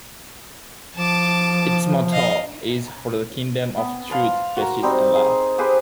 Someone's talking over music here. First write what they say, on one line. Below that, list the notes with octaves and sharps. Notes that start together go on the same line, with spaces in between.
Its motto is 'For the Kingdom of Truth, Justice and Love'.
F3 A5 D6
D#5 F5
B3
F5 A5 C6
F#4 A#4
G3 C4 D#4
G#4
G4 G#4 B4 C5